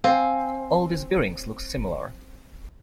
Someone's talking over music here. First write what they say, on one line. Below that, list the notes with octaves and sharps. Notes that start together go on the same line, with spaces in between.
All these bearings look similar.
C4 F5 G#5